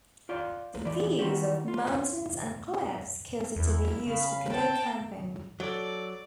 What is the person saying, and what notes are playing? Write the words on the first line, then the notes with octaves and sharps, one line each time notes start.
The views of mountains and cliffs cause it to be used for canoe camping.
F4 D5 G5
E3 D5
D#3 E3 C4 F#4 G4
F4
E2 E4
C#3 F5 B5
G5 A5
F#3 A4 D5